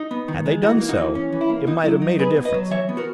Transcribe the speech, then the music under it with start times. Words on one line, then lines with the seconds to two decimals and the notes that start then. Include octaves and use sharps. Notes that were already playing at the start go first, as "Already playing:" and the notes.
Had they done so, it might have made a difference.
Already playing: D#4
0.11 B3
0.28 D#3
0.46 G#3
0.63 E3 D#4 F#4
0.80 A#3
0.89 D#4 F#4
0.98 E3
1.15 C#4
1.32 E3
1.41 E4
1.50 A#3
1.67 B2 D#4
1.84 F#3 E4
2.02 D#4
2.19 B3 G#4 B4
2.36 B2
2.45 B4 D#5
2.54 F#3
2.71 E3 C#5 E5
2.89 B3
2.97 F#4 A#4